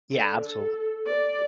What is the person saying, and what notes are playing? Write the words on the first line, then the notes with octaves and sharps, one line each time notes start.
Yeah, absolutely. I think
D3
A4
D5